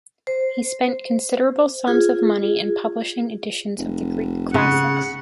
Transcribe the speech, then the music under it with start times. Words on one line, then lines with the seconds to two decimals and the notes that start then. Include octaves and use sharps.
He spent considerable sums of money in publishing editions of the Greek classics.
0.27 C5
1.87 F4 G#4
3.78 F1
4.54 C#3 F#5